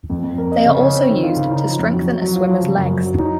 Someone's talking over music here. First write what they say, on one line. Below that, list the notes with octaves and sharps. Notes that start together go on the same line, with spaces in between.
They are also used to strengthen a swimmers legs.
F2
F2
A#4
D#5
C#3
C#4
C4
D#3
F4
C#3
D#4
F3
F2
F#3
F#3
F#3
F4
F3
C#3
F#2
F#3
F#3
D#4